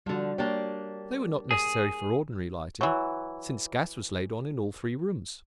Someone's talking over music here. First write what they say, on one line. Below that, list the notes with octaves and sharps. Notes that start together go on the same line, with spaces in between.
They were not necessary for ordinary lighting, since gas was laid on in all three rooms.
D3 F3 G3 F#4
A#3 D4 G4 C#5
G#4
E3 F#3